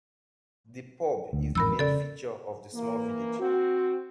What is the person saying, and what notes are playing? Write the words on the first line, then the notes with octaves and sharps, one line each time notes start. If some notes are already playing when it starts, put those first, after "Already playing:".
The pub is the main feature of the small village.
D2
A1 F2 G#2 A#4 B5 E6
C#3 A4 D5
E3 A#3
C4 F#4